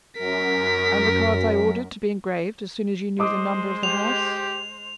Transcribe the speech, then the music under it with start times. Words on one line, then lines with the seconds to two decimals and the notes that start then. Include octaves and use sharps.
"And the cards I ordered to be engraved as soon as you knew the number of the house?"
0.19 F#2 A#4 B6
3.19 G#3 C5 D#5 D6 D#6
3.83 G4 F7